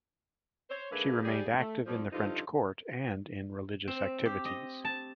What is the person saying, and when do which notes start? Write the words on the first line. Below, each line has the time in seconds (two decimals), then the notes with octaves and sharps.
She remained active in the French court and in religious activities.
0.70 C5 C#5
0.91 G#2 D3 A3 A#3 G#4 B4
1.23 G3 G#4
1.58 A3
1.86 F2 F3 G3
2.12 G2 D3 F3 C4 D#4 F4
3.88 C4
4.26 G4
4.45 D#5
4.85 A5